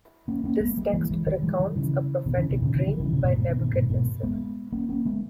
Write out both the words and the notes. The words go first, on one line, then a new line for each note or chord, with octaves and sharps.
This text recounts a prophetic dream by Nebuchadnezzar.
A#3 C#4
A#3 C#4
G#3 B3
G3 A#3
E3 G#3
E3 G#3
D#3 G3
E3 G#3
D#3 G3
C#3 E3
B2 D#3
C#3 E3
B2 D#3
A#2 C#3
C#3 E3
D#3 G3
C#3 E3
A#2 C#3
G#2 B2
G#2 B2
B2 D#3
B2 D#3
G#2 B2
G#2 B2
G#3 B3
A#3 C#4
A#3 C#4
G#3 B3